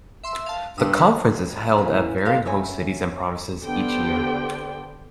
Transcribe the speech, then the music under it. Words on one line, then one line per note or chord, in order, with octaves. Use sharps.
The conference is held at varying host cities and provinces each year.
E5 C6 E6
F5 A5
G2 D#6 E6
G3
A2 E3 A3 A#3 C#4
G4 A4 C5 D#5 F5 A5
F#2 C#5 E5 G#5
D3 B3 G4 C5 D5 G5